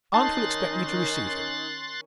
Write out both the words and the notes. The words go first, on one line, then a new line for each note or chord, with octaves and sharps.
Aunt will expect me to receive him.
D#3 C#4 D#4 A5 C6 F#6 A6